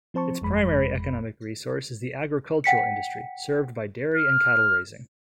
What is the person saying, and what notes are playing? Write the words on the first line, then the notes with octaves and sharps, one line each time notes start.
Its primary economic resource is the agricultural industry, served by dairy and cattle-raising.
F3 C4 C5 A5 C#6
G1 F2 G#3 B5
F#5 G5 B6 C#7
F6